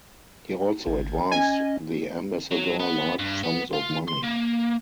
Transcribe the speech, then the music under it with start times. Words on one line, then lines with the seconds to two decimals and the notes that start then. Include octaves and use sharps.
He also advanced the ambassador large sums of money.
0.87 G#1
1.31 C#4 D#5 G#5
2.51 F#3
2.80 B3
3.19 G2
3.44 B3
3.73 F4
4.08 C6
4.24 A#3